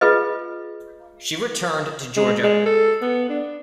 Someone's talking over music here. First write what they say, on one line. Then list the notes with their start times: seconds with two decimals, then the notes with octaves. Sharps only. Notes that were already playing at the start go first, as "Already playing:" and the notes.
She returned to Georgia.
0.01 F4 G#4 B4 D#5
2.17 G#3
2.44 G#3
2.66 A4
3.02 B3
3.29 D4